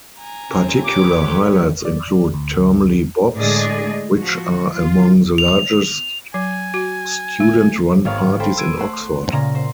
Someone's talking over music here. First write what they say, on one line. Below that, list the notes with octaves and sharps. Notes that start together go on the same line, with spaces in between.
Particular highlights include termly bops, which are among the largest student-run parties in Oxford.
G#5 A#5
D#2 A#2 C#3 C4 C#4
G4 B4 C#5 D6
A4
D5
D2
A2 D3 G#3 G#4 D5 D#5
F3 F#4
F4
F7
F#3 G#5
F#4
A3
G#1 B3 A#4 C#5 F5
A4 C5 G5 B5
E6 G#6 D7 D#7
A3 C5 F#5
A#2 C#3 A#5 A#6
C5